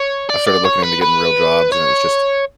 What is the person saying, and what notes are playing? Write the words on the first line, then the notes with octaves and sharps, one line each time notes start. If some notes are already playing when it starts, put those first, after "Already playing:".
I've started looking into getting real jobs, and it was just,
Already playing: C#5
D5
D5
C#5
B4
B4
C#5